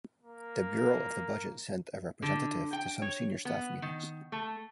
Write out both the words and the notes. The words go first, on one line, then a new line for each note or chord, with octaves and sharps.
The Bureau of the Budget sent a representative to some Senior Staff meetings.
A#3
D3
G5
C#5
B3
D#3
A3